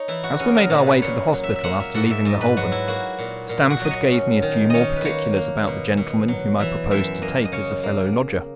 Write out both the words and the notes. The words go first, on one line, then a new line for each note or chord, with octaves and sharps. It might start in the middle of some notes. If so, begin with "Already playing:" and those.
As we made our way to the hospital after leaving the Holborn, Stamford gave me a few more particulars about the gentleman whom I proposed to take as a fellow-lodger.
Already playing: D#4 C#5
E3 E4
F#4
C#4 G#4
A#4
A#2 B4
B4
A#2 C#5
F#3
E5
E5
A#3 F#5
E5
G#2 F#5
E5
G#2 D#5
B4
F#3 F#4
E4
A#3 F#4
A#2
A#2
F#4
F#3 D#5
C#5
C#4
D#3
D#3 C#5 D#5
B4
A#3 C#5
A#3
B2
B2
F#3
E3 E5
F#2 E5
A#3 D#5
D#5
C#3 C#5
A#3